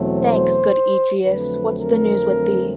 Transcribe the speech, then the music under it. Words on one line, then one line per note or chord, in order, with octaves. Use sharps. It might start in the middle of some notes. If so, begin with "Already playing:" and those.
Thanks, good Egeus: what's the news with thee?
Already playing: E2 B2 F#3 A3 C4
C5
F2 D3 F#3 A3 C4 B4
A#4